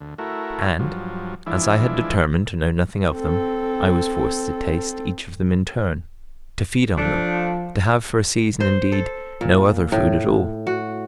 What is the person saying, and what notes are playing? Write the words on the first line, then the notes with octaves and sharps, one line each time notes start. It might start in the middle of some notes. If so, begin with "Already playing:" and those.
And as I had determined to know nothing of them, I was forced to taste each of them in turn, to feed on them, to have for a season, indeed, no other food at all.
D2
A3 E4 F#4 A#4
G2 F3 F#3
E3 F3 G#3 D4 E4
C4 A4
F3 A3 D4
C5
A4
A#2
A2
F#4